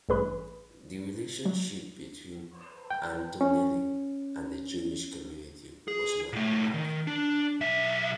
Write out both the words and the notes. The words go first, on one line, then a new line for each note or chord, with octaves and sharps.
The relationship between Antonelli and the Jewish community was not happy.
A1 G2 G#4 B4 B5
F#3
G5
C#4
G#4
A#2 A3
D#3
D4
B1 E5